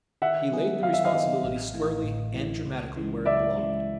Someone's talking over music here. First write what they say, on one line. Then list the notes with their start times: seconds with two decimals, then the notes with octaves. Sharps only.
He laid the responsibility squarely and dramatically where it belonged.
0.22 D#3 E5 F#5
0.52 F#3 B3 D#4 G#4
0.82 D#3 F5
0.93 E5
1.04 D#5 F5
1.13 F#3 B3 D#4 G#4
1.43 A1
1.74 A2 E3
2.04 A1
2.34 A2 E3
2.65 C#2
2.96 C#3 E3 G#3
3.25 C#2 D5 E5
3.57 C#3 E3 G#3